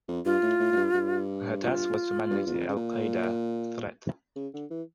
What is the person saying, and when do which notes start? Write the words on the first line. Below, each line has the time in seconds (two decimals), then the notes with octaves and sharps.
Her task was to manage the Al Qaeda threat.
0.08 F2
0.25 G2 F4
0.42 A2
0.59 A2
0.72 A2
0.76 G2
0.94 G2
1.62 F4
2.30 G2
2.46 E2
2.53 F2
2.68 C#3
2.76 A#2
4.36 C#3
4.53 D3
4.70 E3